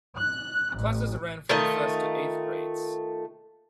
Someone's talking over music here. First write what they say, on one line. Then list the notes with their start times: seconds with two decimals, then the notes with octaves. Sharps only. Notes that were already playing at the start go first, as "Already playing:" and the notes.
Classes ran from first to eighth grades.
0.18 F#6
0.76 A1
1.49 D#3 A3 F4 D#5